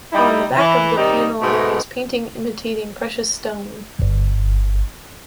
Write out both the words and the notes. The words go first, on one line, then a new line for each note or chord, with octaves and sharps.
On the back of the panel there is painting imitating precious stone.
G3 D#4 E4
E3
C3 D#3 G3 D#4
G#2 B2 A3
G1